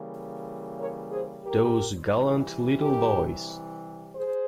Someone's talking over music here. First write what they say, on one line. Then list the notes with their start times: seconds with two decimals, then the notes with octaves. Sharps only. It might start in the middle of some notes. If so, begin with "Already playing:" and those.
Those gallant little boys!
Already playing: C#3 E3 G3 A#3
0.77 A#4 C#5
1.11 G#4 C5
1.45 G4 A#4
2.12 C3 E3 G3
2.80 G4 A#4
4.15 G#4 C5